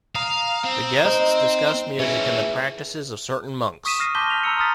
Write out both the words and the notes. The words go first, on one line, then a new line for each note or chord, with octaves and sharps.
The guests discuss music and the practices of certain monks.
F5 A#5 D#6
C4
D#4 C5
C#4 E4 G#4 B4 E5
C#6 D#6 B6 D#7 E7
F6 A#6 C7 D#7
A5 C6 D6 G6 B6 G7
A5 F6 B6 F7
A#5 E6 C#7
A#5 C6 D#6 F6 A6 B6